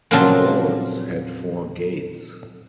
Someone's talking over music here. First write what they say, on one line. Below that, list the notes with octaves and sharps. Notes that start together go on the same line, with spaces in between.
The walls had four gates.
A#2 C#3 F3 F#3 C4 D4